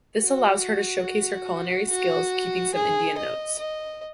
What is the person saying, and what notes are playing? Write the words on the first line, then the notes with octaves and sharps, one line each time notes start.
This allows her to showcase her culinary skills keeping some Indian notes.
F#4
F#4
G#4
D#5
D#5